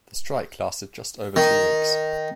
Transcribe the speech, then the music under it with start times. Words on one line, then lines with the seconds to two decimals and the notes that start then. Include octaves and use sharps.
The strike lasted just over two weeks.
1.36 D#3